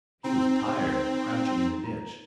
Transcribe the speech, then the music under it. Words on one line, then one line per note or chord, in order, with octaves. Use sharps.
He was tired of crouching in a ditch.
C4 D#4